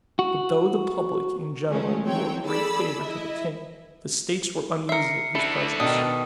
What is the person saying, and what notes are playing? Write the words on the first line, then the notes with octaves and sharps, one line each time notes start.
But though the public in general bore great favor to the king, the states were uneasy at his presence.
F#4
D#3 F3 G#3 A3 C#4
E3 F#3 C4 C#5 G5
G#4 A4 D5 B5 E6
E4 D#5 E5
A#4 E5 C7 C#7
D3 A3 E4
B2 D#3 D4 D#6